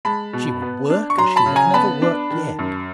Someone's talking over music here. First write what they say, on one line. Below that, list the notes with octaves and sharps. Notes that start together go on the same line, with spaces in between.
She would work as she had never worked yet.
G#3 A5 B5
B2
B3
D4
C#6
F#3 A#5 C6
A5 B5
C#3
G#5 A#5
B3 A5 B5
D4
D#3
F#2